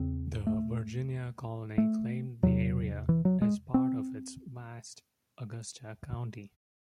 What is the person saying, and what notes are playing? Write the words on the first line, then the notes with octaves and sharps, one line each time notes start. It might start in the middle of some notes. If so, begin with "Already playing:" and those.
The Virginia Colony claimed the area as part of its vast Augusta County.
Already playing: E2 C#3 C4
A3
A3
E2 C3 F#3
E3
F#3
G#3
C4